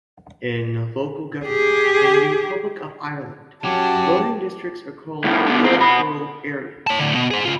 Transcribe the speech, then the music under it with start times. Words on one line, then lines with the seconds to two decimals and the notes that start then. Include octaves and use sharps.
In local government in the Republic of Ireland voting districts are called "electoral areas".
1.45 G4 G#4
3.64 F#3 C#4 G4 A5
5.24 C2 A2
5.47 B2 D3
5.63 D#2 C4
5.79 B2 B5
6.87 C#5 A5
7.00 A2 D3
7.15 B2
7.31 G#4 C5
7.45 C#3 F4